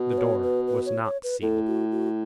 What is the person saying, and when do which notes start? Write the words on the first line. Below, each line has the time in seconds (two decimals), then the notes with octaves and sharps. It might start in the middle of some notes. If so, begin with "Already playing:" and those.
The door was not sealed.
Already playing: B2
0.12 B4
0.18 C#5
0.43 B4
0.67 B4
0.86 C#5
1.04 C#5
1.23 B4
1.42 A2 A4
1.67 F#4
1.91 F#4